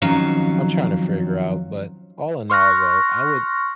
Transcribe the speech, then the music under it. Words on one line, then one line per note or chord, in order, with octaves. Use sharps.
I'm trying to figure out. But all in all, though, I would
F2 D#3 F#3 C#4 F5
C6 C#6 F6 F#6 A#6